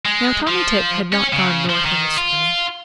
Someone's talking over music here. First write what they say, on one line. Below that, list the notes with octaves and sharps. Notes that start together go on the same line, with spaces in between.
Now Tommy Tit had not gone north in the spring.
G#3
F3
C#4
C#3
F3
D#3
F4